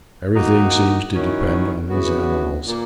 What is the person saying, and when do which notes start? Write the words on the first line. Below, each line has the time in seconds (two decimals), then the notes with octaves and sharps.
Everything seems to depend on these animals.
0.36 D#3 A#3 D#4 F#4
1.14 D#3 F#3 C#4 E4
1.90 C#3 E3 B3 F#4
2.68 A#2 A#3